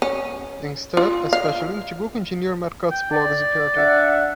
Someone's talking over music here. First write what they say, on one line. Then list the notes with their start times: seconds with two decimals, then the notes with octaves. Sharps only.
Instead, a special link to Google engineer Matt Cutts' blog is imperative.
0.02 C#4
0.97 F4
1.33 F5
2.91 G5
3.11 D5
3.77 D4 E5 F#5